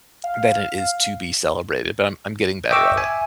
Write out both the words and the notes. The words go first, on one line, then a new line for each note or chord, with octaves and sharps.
than it is to be celebrated, but I'm I'm getting better at it.
F5
D#5 E5 G5 C#6 D6 E6
E5 G#5